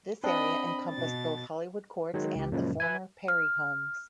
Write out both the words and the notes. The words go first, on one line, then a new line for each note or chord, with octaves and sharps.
This area encompassed both Hollywood Courts and the former Perry Homes.
C4 D4 D#5 B5
B2 A6
D#3 F#3 G#3
C#2 G4
F#2 A#2 C#3 F3 G#3
B4 E5 G#5
F6